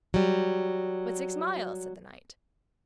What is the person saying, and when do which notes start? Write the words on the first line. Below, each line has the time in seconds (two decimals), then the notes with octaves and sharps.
But six mile, said the knight.
0.14 F#3 G3